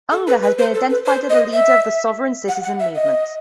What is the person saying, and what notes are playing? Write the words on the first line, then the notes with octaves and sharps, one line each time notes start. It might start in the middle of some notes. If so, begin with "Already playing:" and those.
Unger has been identified as a leader of the sovereign citizen movement.
A4
B4
B4
C5
A4
B4
C5
D#5
E5
F#5
F#5
E5
D#5